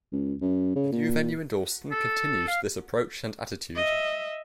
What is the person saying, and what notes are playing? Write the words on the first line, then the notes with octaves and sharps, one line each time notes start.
The new venue in Dalston continues this approach and attitude.
C#2
F#2
C#3
A#2
A4
F5
D#5 E5